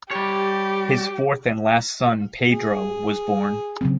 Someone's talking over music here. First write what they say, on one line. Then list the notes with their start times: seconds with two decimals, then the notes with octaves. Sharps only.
His fourth and last son, Pedro, was born.
0.11 G3 G4 C#5
2.52 G#4
3.81 C#3 F#3 C4